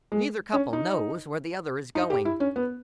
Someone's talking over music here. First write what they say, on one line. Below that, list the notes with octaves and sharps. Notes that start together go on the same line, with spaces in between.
Neither couple knows where the other is going.
G#3
C#4
D#4
D#4
G4
E4
C#4
B3